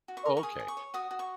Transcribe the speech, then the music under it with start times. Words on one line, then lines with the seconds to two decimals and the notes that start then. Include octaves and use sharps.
Oh, okay,
0.08 F#4
0.17 C#6
0.26 A#4
0.37 C#6
0.43 G#4 D#6
0.59 G#4
0.68 C#6
0.77 C#5
0.94 F#4 D#6
1.11 F#4
1.19 C#6